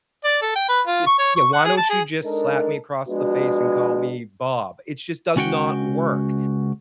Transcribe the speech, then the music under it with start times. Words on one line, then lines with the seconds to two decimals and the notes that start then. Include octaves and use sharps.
it's "Yeah, why don't you just slap me across the face and call me Bob?" It just does not work.
0.24 D5
0.42 A4
0.56 G5
0.69 B4
0.87 F4
1.06 C#6
1.19 C#5
1.36 C#6
1.53 F#5
1.65 G#4
1.77 A5
1.90 G#4
2.24 G#3 D4 D#4 A4 A#4
3.08 F3 G#3 B3 D4 F#4
5.36 C#2 C#4 F#4 F#5 G5